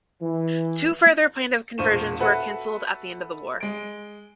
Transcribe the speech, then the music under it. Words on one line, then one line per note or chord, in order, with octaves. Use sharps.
Two further planned conversions were canceled at the end of the war.
E3
E1 A#2 C5 C#6 D#7 E7
F#4 A4 B4 E5 F#5
G#3 D7